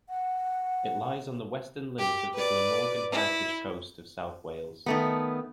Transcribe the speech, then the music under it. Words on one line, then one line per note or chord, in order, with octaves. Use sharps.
It lies on the western limit of the Glamorgan Heritage Coast of south Wales.
F#5
G4
B4 D5
E4
D#3 A3 B3